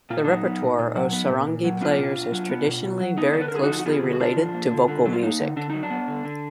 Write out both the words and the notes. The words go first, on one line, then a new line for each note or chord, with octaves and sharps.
The repertoire of "sarangi" players is traditionally very closely related to vocal music.
A#2 F4
D#4
D4
F#3 D#4
B3
A#2
A#2
F#3
B3
A#2
A#2
F#3
B3 D4 F4
B2
B2
F#3
B3
B2
B2
F#3
B3 D#4
D3 D5
B4
A#4
D3 G#4
D#4 F#4
F3
F#4
B3 F4 G#4
D3
F#4
D3 D4 F4
F3
A#3
D3
D3
F#3
F4
A#3 D#4
D3
D3 D4
F#3 D#4
D4
B3
D3
D3